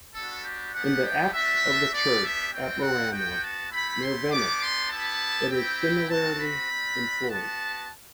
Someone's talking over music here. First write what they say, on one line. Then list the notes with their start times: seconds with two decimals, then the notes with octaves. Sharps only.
In the apse of the church at Murano, near Venice, it is similarly employed.
0.13 G3 B3 D4 F#4 A4
0.43 G4
0.73 B3 D4 G4 F#5
1.03 G5
1.33 A3 D4 F#4 E5
1.93 B3 D4 G4 D5
2.22 E5
2.52 G3 C4 F#4 G5
2.82 F#5
3.11 B3 F#4 G5
3.42 A5
3.72 A3 E4 G4 B5
4.01 C6
4.31 B3 D4 G4 D6
4.61 C6
4.90 B3 E4 G4 A5
5.50 C4 E4 G4 G5
6.09 C4 F#4 A5
6.39 B5
6.68 G3 C4 F#4
7.28 B3 F#4 A5